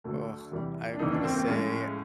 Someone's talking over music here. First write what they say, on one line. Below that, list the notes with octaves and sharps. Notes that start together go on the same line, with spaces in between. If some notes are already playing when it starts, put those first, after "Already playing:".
Ugh. I'm gonna say
D2 D3 F#3 A3
E2 C3 E3 G3
D4
D#2 C#3 E3 D#4
D4
C4
C4
A2 F3 G#3 C#4